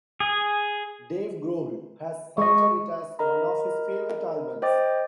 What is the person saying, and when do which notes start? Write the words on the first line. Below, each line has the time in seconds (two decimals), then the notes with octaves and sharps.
Dave Grohl has cited it as one of his favorite albums.
0.20 G#4
2.38 G#3 D#5 C#6
3.19 A#4 D#5 A#5 B5
4.62 C5 D#5 G5 D6 A6